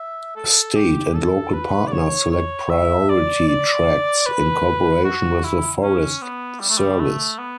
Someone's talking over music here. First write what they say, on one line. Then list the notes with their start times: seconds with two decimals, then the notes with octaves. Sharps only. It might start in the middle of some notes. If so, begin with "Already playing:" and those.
State and local partners select priority tracts in cooperation with the Forest Service.
Already playing: E5
0.36 A4
0.75 G4
1.14 A4
1.53 B4
1.87 D5
1.92 C#5
2.31 C#5
2.69 E5
3.09 D5
3.48 D5
4.26 B4
5.04 F#4
5.44 E4
5.83 C#4
6.22 B3
6.60 G3
6.69 A3
6.78 G3
7.00 A3
7.38 B3